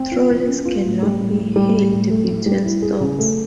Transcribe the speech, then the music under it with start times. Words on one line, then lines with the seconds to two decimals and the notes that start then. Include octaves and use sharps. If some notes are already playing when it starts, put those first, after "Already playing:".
Trolleys cannot be hailed between stops.
Already playing: C4
0.12 F4
0.30 F3
0.48 C#4
0.65 F4
0.84 A2
1.03 G3
1.20 A2
1.38 A2
1.56 G3
1.74 A2
1.92 A2
2.10 A3
2.28 A2
2.46 G3
2.64 E4
2.82 G#4
3.00 C#3
3.19 A3